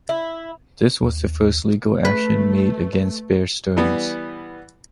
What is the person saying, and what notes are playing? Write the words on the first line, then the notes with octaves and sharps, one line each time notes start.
This was the first legal action made against Bear Stearns.
E4
D#2
A3 B4
E3 G3 B3